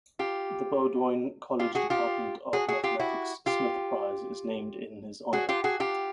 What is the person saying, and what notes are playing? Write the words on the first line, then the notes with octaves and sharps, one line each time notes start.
The Bowdoin College Department of Mathematics Smyth Prize is named in his honor.
F4 G4
F4 G4
F#4 G#4
F4 G4
F#4 G#4
F#4 G#4
F4 G4
E4 F#4
F4 G4
F#4 G#4
F4 G4
F#4 G#4
F4 G4